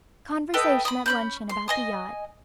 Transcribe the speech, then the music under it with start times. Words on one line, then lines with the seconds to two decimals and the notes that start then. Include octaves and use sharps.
Conversation at luncheon about the yacht.
0.54 A4 B4 D#5 G5
0.85 B5 D#6
1.06 C#4 B5 G6
1.49 C6
1.68 D#5 G#5 D#6